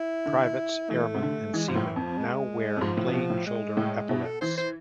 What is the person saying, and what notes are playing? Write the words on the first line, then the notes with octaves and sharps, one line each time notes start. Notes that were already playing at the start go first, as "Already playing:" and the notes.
Privates, airmen and seamen now wear plain shoulder epaulettes.
Already playing: E4
D3
E3 A3
C3
D3
E3 G#3
G#2 F3
A2
E3
F2
F3
G#3
F2
G#2 F3
A2
C3
B2
A2
G#3
A2
B2 E4
A4
E3 C5
C5